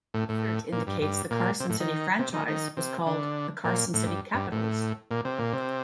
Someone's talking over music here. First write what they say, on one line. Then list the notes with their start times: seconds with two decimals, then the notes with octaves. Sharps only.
Research indicates the Carson City franchise was called the Carson City "Capitals".
0.14 A2
0.29 A2
0.72 A#2
0.87 G2
1.01 G2
1.31 A#2
1.60 C3
1.70 A2
1.80 D#3
2.19 C3
2.34 D#3
2.48 D#3
2.77 C3
3.06 D3
3.64 A#2
3.94 A2
4.07 G2
4.34 G2
4.52 A2
5.11 A#2
5.25 C3
5.39 A#2
5.53 C3